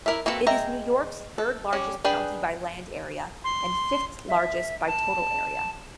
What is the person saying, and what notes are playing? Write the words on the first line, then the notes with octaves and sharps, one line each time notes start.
It is New York's third-largest county by land area and fifth-largest by total area.
E4 A#4 B4 E5
A#3 C4 F#4 A4 B4
G#3 E5 G5 A#5
A4
G3 C#4
D4 G#4 B4 G5
C6
E5
A5